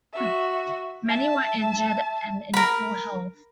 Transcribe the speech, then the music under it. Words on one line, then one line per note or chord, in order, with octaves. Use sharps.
Many were injured and in poor health.
F#4 E5
E5 A5
A#4 B5